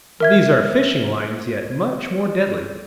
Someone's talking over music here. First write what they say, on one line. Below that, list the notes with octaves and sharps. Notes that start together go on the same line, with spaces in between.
These are fishing lines, yet much more deadly.
A#4 E5 G#6